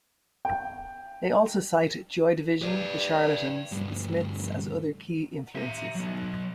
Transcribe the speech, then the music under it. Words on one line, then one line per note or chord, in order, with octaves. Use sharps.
They also cite Joy Division, The Charlatans, The Smiths as other key influences.
G5
B4 D5
D2 G2
E5 A#5
F#3 B3